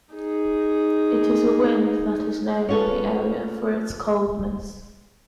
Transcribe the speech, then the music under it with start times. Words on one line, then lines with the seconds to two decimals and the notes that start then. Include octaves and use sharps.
It is a wind that is known in the area for its coldness.
0.13 D#4 G#4
2.69 C#4 F4 G#4 A4 B4